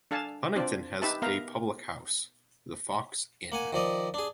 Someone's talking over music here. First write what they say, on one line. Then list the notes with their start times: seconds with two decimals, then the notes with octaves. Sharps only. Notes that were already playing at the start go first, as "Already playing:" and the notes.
Honington has a public house, the "Fox Inn".
0.11 D4 A4 F5 G#5 A5
0.56 C4 D4 F4 C5 D5
1.02 D#4 G4 B4 E5 A5
1.22 B3 A#4 E5 F5 A#5
3.52 A#3 F#5 G#5
3.73 D#3 F3 D5 D#5
4.14 D4 G#4